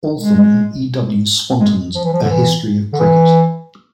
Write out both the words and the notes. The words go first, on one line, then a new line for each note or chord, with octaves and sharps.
Altham and E. W. Swanton's "A History of Cricket".
G#3
G#3
F3
E3
F3
D3
E3
D3
E3